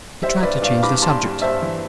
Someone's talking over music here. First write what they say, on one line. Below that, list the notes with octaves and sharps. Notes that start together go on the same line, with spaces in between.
He tried to change the subject.
G3 C5 E5
G2 B4 D5
G2 D5 F5
G2 B5 D6
G2 A5 C6
G2
G2 C5 E5
E3